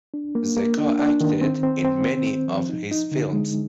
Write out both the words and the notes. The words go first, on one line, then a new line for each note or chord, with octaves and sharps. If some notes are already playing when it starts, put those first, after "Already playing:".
Zecca acted in many of his films.
D4
A#3
A#3
D4
D4
D#3
C4
C4
C4
C4
C4
F3
D#4
D#4
D3
G#3